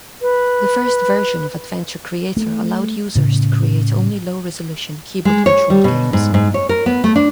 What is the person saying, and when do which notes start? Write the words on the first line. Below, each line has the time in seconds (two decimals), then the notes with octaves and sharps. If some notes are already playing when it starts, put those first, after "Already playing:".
The first version of Adventure Creator allowed users to create only low-resolution, keyboard-controlled games.
0.22 B4
2.37 A3
3.15 A2 C#3
5.25 G#3
5.46 C#5
5.70 G3
5.84 B2
6.13 G#2
6.34 G#2
6.54 C#5
6.69 A#4
6.86 B3
7.04 A3
7.16 D4